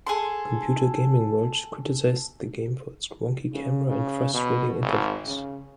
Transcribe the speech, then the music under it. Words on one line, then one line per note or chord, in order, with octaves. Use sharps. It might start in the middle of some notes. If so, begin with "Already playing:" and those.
"Computer Gaming World" criticized the game for it's wonky camera and frustrating interface.
G#4 A4 C6
C#3
C#3
B2
G#1
C#3